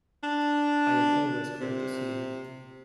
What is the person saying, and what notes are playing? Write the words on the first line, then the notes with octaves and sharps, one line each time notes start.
I am always glad to see him.
D4
C3